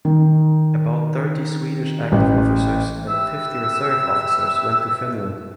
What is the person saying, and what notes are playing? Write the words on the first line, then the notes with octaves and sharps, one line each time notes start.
About thirty Swedish active officers and fifty reserve officers went to Finland.
D#3
A1
G4 B4 E5 E6